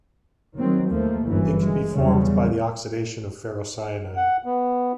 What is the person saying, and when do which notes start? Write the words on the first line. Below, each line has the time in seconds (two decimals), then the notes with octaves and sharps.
It can be formed by the oxidation of ferrocyanide.
0.56 D#3 F#3 C4
0.90 D#2 F3 A3 A#3
1.26 G1 F#2 E3
1.61 G#3
1.95 E2 C#3 F#3 G3
4.17 F#5
4.45 B3